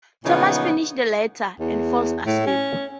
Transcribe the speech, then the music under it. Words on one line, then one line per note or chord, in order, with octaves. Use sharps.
Tomas finishes the letter, and falls asleep.
A#2 C#3 E3 F3 B3 D#4
E2
A2
C#4